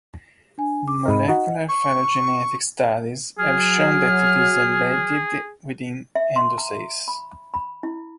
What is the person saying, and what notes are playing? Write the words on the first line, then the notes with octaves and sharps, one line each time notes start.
Molecular phylogenetic studies have shown that it is embedded within "Androsace".
D4 G#5
D6
G#2 A#4 D#5 B5
D#4 F#4 D#5 F#5
C#6
F#3 G#4 F6
E5
C6
A#5
B5
B5
E4